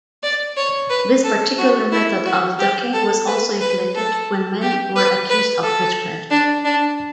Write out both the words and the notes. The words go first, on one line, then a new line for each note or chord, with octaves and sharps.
This particular method of ducking was also inflicted when men were accused of witchcraft.
D5
C#5
B4
A4
F#4
E4
F#4
G4
A4
B4
B4
A4
G4
B4
B4
A4
D4
D4